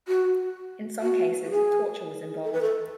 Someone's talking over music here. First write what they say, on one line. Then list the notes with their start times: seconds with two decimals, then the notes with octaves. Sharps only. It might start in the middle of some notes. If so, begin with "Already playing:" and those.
In some cases torture was involved.
0.08 F#4
1.02 F#4
1.45 F#4
1.50 G#4
2.44 A4
2.52 B4
2.62 A4